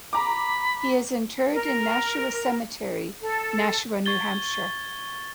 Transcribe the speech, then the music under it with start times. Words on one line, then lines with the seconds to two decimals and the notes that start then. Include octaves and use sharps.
He is interred in Nashua Cemetery, Nashua, New Hampshire.
0.13 A#5 B5 D6
1.53 A#4
3.22 A4
4.06 C#6 G#6 A6 G7